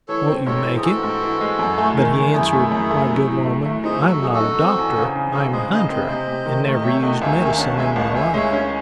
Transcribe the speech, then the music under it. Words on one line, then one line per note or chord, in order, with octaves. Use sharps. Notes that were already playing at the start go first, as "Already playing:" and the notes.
Won't you make it?" But he answered: "My good woman, I am not a doctor, I am a hunter, and never used medicine in my life.
E3 A4 C#5
C4
G#2 A4 C#5
E3
G#4
E3 F#4 A4
G#2
E3
G#3
F#2
A3
D#3
D#3
F#2 E4 G#4
A3
F#2
A3
F#3
A2
A3
A3
D#4 G#4 C5
F#3
F#4 A4
F#3 G#4
F#4 A4
D#4
C4
E2
C#3
C#3
C#3 F#4 A4
G#3 G#4 C5
C#3 C5 D#5
C4 C5 D#5
E5
C3 C5 D#5
C3
D#3
A3
D#5
C3 C#5 E5
A3 D#5 F#5
A5
C#2 E5 G#5
D#3 E5 G#5
C#4 F#5 A5
G#3 E5 G#5
C#2 F#5 A5
C#2 E5 G#5
G#3 C#5 E5
C#4